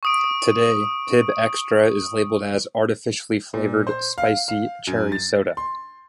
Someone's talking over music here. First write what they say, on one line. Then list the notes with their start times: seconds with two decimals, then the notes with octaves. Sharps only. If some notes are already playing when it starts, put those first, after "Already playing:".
Today Pibb Xtra is labeled as "artificially flavored spicy cherry soda".
0.03 C#6 D#6 D7
3.54 A#2
3.87 C5
4.18 F5
4.48 F5
4.87 F#2
5.12 A6
5.57 C6